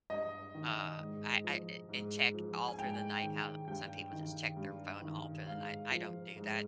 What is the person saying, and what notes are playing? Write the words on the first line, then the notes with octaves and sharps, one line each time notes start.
uh, I I, eh, and check all through the night, how some people just check their phone all through the night, I don't do that,
G2 D#5
D#3
G#2
F3
G#2
F3
G#5
G#2 G5
D#3
G2 G5
D#3
G2
D#3
G#2 F5
F3
G#2